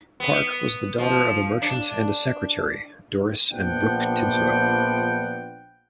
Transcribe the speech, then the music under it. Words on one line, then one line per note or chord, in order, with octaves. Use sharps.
Park was the daughter of a merchant and a secretary, Doris and Brooke Tidswell.
B3
F3
D4
A#1 F3 B3 D4 F#5 G5